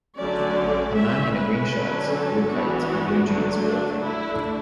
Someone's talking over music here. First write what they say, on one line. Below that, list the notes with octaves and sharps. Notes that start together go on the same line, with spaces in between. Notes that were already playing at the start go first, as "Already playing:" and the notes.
A man in a green shirt, blue coat, and blue jeans walking.
D3 F#3 A3 C#4 D5
G#3 C#4 E5
B4
D3 F#3 C#4
A4
E3 B3 D4 F#4
D3 F#3 A3 D4
D4
D3 A3 D4 E4